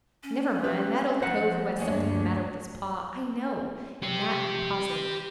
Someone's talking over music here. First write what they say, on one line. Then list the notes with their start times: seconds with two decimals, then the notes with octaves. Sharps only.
"Never mind, that old cove who has something the matter with his paw I know, and that I'm positive."
0.23 C#4
0.64 G4 B4 E5
1.22 F3 C5 F#5 A#6
1.78 D2 G2 A#3 D4 C#5 D#5 G#5
4.03 G4 C6